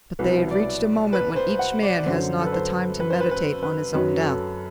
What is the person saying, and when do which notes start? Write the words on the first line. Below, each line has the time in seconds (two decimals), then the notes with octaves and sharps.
But they had reached a moment when each man has not the time to meditate on his own death.
0.19 C2 B2 F#3 B4
0.51 D5
1.13 B4
1.36 C5
1.59 F#5
1.82 D5
2.06 F#2 D3 F#3 C5
2.39 A4
2.46 B4
2.53 C5
3.00 B4
3.10 C5
3.20 B4
3.31 B4
3.62 B4
3.94 F#2 F#3 B4
4.17 A4